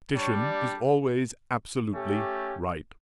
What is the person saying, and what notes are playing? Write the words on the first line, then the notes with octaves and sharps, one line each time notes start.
Titian is always absolutely Right.
G3 D4 G4 C#5
A3 C#4 G4